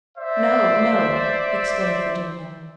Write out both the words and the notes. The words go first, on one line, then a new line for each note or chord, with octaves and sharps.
"No, no!" exclaimed Virginia.
C5 D5 E5